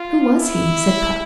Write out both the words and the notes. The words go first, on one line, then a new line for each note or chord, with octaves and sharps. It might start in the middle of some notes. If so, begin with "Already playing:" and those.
'Who was he?' said Puck.
Already playing: F4
E4